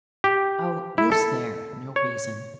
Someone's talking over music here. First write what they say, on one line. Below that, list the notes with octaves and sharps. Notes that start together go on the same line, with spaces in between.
"Oh, IS there no reason?"
G4
E4
A4
C#5